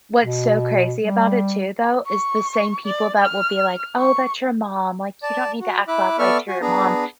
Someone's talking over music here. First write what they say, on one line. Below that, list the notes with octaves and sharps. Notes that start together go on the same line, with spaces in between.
What's so crazy about it too, though, is the same people that will be like, "Oh, that's your mom, like you don't need to act that way to your mom."
B2
G3
C#6
D5
F6
C#6
D5 A5
F#4
E4 E5 D6 F#6
B3 A4 D5 E5 C#6 F6
F#4 G#5
B3 D4 G#4 A#5